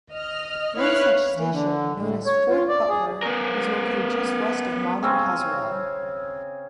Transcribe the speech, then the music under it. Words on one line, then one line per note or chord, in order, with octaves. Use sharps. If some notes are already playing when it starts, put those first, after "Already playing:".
One such station, known as Fort Butler, was located just west of modern Tazewell.
D#5 F6
E4 B4 C#5 F5 F6 F#6
E3
D3
A2
C#5
F4
D5
G#4
B3 A#4
C#3 C4 C#4 G#4